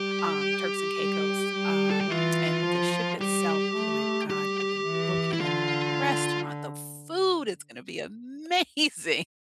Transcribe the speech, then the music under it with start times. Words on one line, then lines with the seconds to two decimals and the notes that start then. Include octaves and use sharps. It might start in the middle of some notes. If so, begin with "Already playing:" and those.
um, Turks and Caicos. Um, and the ship itself, oh my gosh, I've been looking, and the restaurant, the food is gonna be amazing.
Already playing: G3 G4
1.01 G3
1.56 G3
1.91 A4
2.01 G4
2.11 E3 F4
2.66 F3
3.21 G3 G4
3.76 A3
4.30 G3 G4
4.86 E3
5.33 E4
5.41 D3 F4